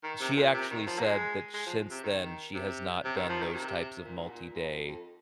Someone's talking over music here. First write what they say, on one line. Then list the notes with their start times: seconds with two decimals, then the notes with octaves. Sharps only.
she actually said that sh ince then, she has not done those types of multi-day
0.03 D#3
0.20 C3
0.37 A#2
0.53 C3
0.71 D#3
0.87 F3
0.99 A#3
1.03 G#3
1.54 G#3
1.66 F3
1.91 C3
2.03 D#3
2.54 C3
3.04 C3
3.16 D#3
3.29 F3
3.41 D#3
3.54 C3
4.04 A#2
4.17 G#2
4.30 A#2
4.55 G#2
4.71 F2
4.88 F2